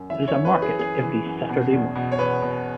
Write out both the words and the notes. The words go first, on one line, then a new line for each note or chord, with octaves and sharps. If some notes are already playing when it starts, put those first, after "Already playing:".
There is a market every Saturday morning.
Already playing: F#2
E3 E5
C#5
F#2
B4
E3
G#4
F#2 G#4
E3
F#2
B2
E2
B2
C#5
E2 B4
B2